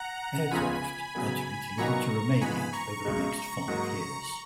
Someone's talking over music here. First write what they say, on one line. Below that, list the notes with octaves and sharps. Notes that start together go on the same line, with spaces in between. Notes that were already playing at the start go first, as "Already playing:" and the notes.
Aircraft are to be delivered to Romania over the next five years.
Already playing: F#5 A#5
C#2 C#3 F3 B3 F4 G#5 B5
C#3 F#3 B3
A#2 F#3 B3 D#4 A#5 C#6
G#2 F3 B3 G#5 B5
A#5 C#6
B1 B2 G#3
G#2 F#3 A#3 D#4